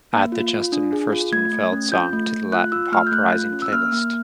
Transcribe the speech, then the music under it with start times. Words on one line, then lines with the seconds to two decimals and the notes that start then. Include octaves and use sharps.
Add the Justin Furstenfeld song to the latin pop rising playlist.
0.13 A#3
0.32 F4
0.53 F4
0.72 D4
0.93 G#4
1.12 F4
1.32 A3 G#6
1.52 A3
1.72 C#4
1.92 F4 G6
2.13 A3
2.33 A3
2.52 F4 F#6
2.72 F4 E6
2.92 A3 F6
3.07 G6
3.12 A3 F#6
3.32 F4
3.53 C#4
3.62 E6
3.72 A#3 F6
3.92 A#3